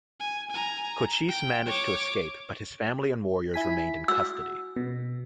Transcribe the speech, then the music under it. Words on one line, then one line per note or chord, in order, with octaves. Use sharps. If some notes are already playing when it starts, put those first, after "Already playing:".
Cochise managed to escape, but his family and warriors remained in custody.
G#5
G#5 A#5
G5
C#5 D6
E4 G#5 B6
F#4 E6
B2